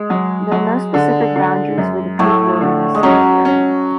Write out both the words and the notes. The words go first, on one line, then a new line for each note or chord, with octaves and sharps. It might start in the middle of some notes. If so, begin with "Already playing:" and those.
There are no specific boundaries for the Peak Wilderness sanctuary.
Already playing: G#3
F#3
F#3
D3
D3
F#2
A2 F#3 A3
D3
G#3
F#3 C#4
C#4